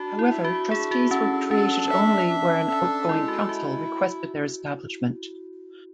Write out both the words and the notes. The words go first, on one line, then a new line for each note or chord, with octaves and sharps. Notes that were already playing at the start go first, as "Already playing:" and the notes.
However, trustees were created only where an outgoing council requested their establishment.
Already playing: D4 F#4
E4
E5
F#4
D4 G#4
F#4
C#4 A4
C#4 D4
E5
D4
A4
G#3 E4
F#4
E4 F#4